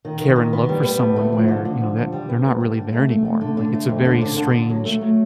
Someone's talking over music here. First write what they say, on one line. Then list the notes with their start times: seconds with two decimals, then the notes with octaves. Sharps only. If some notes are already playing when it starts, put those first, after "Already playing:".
care and love for someone where, you know, that they're not really there anymore? Like, it's a very strange
0.05 D#3
0.20 D#3
0.36 D#3
0.53 B3
0.69 G3
0.84 B3
1.00 D2
1.16 A3
1.33 F3
1.48 D3
1.65 D3
1.80 F3
1.97 D3
2.12 G3
2.29 B3
2.44 D2
2.60 G3
2.77 D3
2.93 A3
3.09 A3
3.25 A3
3.41 D3
3.57 D3
3.73 A3
3.89 F2
4.05 D3
4.21 D3
4.37 D3
4.52 D3
4.70 F#3
4.85 A3
5.01 F#3